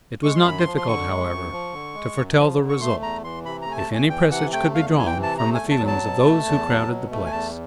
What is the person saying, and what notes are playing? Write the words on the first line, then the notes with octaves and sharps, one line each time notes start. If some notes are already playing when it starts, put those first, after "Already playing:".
It was not difficult, however, to foretell the result, if any presage could be drawn from the feelings of those who crowded the place.
G#3 C#6
C6
F#2 B5
C6
F3
C6
D3 C#6
G#3
F#2
F3
D3
G#3
F#2
F3
D3
C#6
A3 C6
E2 A#5
E3 C6
C3 B5
A#5
A3 G#5
A5
E2
G#5
E3 G5
C3 F#5
A3 G5
E2 F5
E3 G#5
G5
C3
A5
A3 A#5
G#5
E2
A5
F#3
A5
B2
A3
E2
F#3
B2
A3
G#5
E2 A5